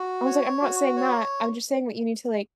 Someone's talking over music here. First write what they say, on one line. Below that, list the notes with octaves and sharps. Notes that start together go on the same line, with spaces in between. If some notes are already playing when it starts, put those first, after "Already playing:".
I was like, "I'm not saying that, I'm just saying that you need to like
Already playing: F#4
C#5
F#4
C#5